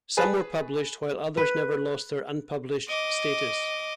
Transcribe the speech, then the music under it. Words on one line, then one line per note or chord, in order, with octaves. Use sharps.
Some were published while others never lost their "unpublished" status.
G#4 B4 A5
B4
D#5 D6